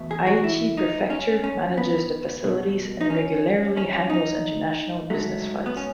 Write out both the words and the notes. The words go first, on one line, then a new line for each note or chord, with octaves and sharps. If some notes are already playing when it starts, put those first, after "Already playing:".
Aichi Prefecture manages the facilities and regularly handles international business flights.
Already playing: E2 B2 A3
G#4
F#4
E4
D#4
C#4
C#4
B3
B2 A3
D#4
C#4
C#4
D#4
G#2 F#3 A3
B3
C#4